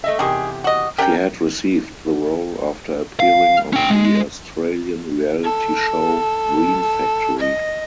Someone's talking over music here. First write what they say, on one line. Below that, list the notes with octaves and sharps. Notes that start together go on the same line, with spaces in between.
She had received the role after appearing on the Australian reality show "Dream Factory".
A3 D#5 E5
E2 C3 D#3 G4 G#4
F#4 D#5
C#4 G4 A#4 F#5 G5
F5
C#4 G5
G#3
A4
D#5